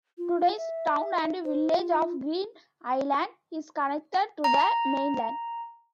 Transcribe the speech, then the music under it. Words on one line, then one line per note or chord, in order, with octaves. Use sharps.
Today's town and village of Green Island is connected to the mainland.
F4
E5
C5
F4
A#5